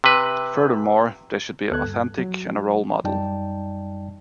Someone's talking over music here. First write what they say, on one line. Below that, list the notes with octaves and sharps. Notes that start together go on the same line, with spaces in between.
Furthermore, they should be authentic and a role model.
C3 B4
D2 B3 A4 F#6 G#6
G2
F#3
F#2 G3 D#4 D5 G5 A5